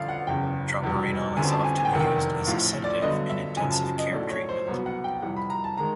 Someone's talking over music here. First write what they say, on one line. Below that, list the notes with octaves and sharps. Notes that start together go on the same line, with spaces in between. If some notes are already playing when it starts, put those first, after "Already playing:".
Droperidol is also often used as a sedative in intensive-care treatment.
Already playing: A1 G2 D3 F3 F5
F#5
F#1 E2 C#3 G5
F1 E2 B2 G3
G1 F#2 D3 G3 C4 G#5
A5
G#5
G#5
G5
F1 E2 C3 D#3 F#5
G5
A#1 A2 F3 F5
D5
G2 D3 F#3 B3 D#5
E5
F#1 F#2 C#3 F3 G#5
A5
A5
D#5
B1 A2 F3 A3 D5
C#5
C5
C2 B2 F#3 B3 C#5
F#5
G5
F2 C3 E3 G3 F#5
B5
A#5
A5
D#3 G#3 A#5